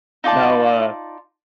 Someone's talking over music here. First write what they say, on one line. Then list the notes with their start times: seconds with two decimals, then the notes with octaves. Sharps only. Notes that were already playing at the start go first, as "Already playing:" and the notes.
No, uh,
0.24 D#4 F4 D5 A5